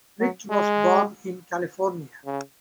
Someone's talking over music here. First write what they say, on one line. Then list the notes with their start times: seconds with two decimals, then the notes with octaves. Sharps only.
Rich was born in California.
0.20 F#3
0.50 G#3
2.26 C#3